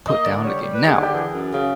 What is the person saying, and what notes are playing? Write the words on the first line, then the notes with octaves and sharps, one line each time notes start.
put down a game. Now,
A#3 D#5
D3 D5
G3 C#5
G3
D#2 B4
G#4
D3 G4
E3 G#4
F#2
C#3